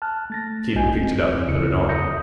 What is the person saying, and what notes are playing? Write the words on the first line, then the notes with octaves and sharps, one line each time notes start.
Stephen picked it up and put it on.
A5 F6 F#6
A3 A6 A#6
B1 A3 F#4 D#5 G#5 G6
C4
D2 C#3 E4 C#7
E5 D#6 G6 A#6 C#7